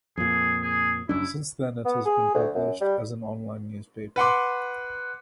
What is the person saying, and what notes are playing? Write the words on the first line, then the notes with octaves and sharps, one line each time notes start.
Since then it has been published as an online newspaper.
F2 A#2 G#4
G#4
F#1 F#2 D4 E4
B3
G#4
D2
F#2
G3
B4 F#5 C6 D6